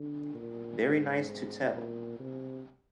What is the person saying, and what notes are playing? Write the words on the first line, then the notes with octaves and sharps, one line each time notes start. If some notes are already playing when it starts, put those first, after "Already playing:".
Very nice to tell.
Already playing: D3
A#2
G#2
A#2
C3